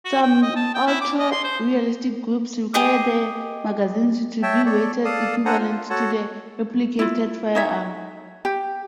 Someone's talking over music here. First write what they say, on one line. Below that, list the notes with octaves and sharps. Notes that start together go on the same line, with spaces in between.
Some ultra-realistic groups require the magazines to be weighted equivalent to the replicated firearm.
F#4
G5
D#5
A5
G5
E4
D6
D#5
C6
C5
G4 G#4 D#5
C#5 E5 G5 A5
A4 C#5 D5
A4 D5 F5 A5 D#6
D4 A4 C5 F#5 G#5 A#5
F4
F#4 A4 C#5 F#5 A5
E4 F4
D#4 C#5 E5
G4